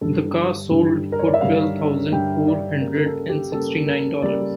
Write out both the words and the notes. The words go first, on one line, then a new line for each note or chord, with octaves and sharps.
The car sold for twelve thousand four hundred and sixty nine dollars.
G2 D3 G3 A4
G2 D3 G3
A#4
C#5
D5
E5
G2 D3 G3 F5
G2 D3 G3 G5
D5
C#3 G3 A#3 A#4
A#4
A4
G4
C#3 G3 A#3 A4
A#4
C#3 G3 A#3 D5